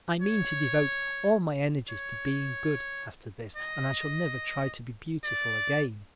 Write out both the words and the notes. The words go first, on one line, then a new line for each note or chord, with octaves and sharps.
I mean to devote all my energies to being good after this and I shall never try to be beautiful again.
C#5
C#5
D#5
D5